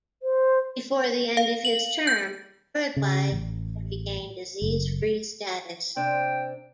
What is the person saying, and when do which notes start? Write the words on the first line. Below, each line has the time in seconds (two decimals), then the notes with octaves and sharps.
Before the end of his term, Uruguay had re-gained disease-free status.
0.23 C5
1.37 F5
1.65 F#7
2.07 G6
2.97 C#3
3.32 A1
4.62 F#1
5.96 C3 D4 C5 G5